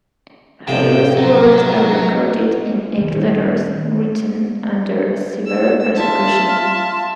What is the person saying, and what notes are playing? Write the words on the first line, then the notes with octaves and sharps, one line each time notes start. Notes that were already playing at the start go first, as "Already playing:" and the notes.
Hutter's words are recorded in eight letters, written under severe persecution.
A2 C3 F3 G5
F#3
D#3 G3
E6
F4 E5 A5